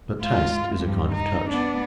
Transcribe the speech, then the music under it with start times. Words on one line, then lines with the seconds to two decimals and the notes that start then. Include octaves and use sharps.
But taste is a kind of touch.
0.19 G#2 F4
0.75 G2 F3
1.12 D#4
1.50 B3 D4